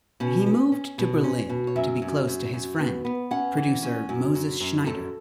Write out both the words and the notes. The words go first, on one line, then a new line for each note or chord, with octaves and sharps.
He moved to Berlin to be close to his friend, producer Moses Schneider.
B2 C#4
C#4
C#4
B2
C#4
B2
C#5
F#2 E5
F#2
F#2
F#2
B3
B3
C#4 F#5
E3
C#4
F#2
F#2
F#2
F#2 A4